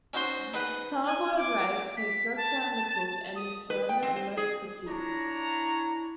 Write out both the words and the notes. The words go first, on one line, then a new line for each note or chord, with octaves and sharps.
Parboiled rice takes less time to cook and is firmer and less sticky.
C#4 D#4 F#4 C5 C6
D#4 G#4 B4 F#5
G#5
D6
B6
A5
D#6
B4
G5
C4
C5
G#4
D4 E4 C#5 A#5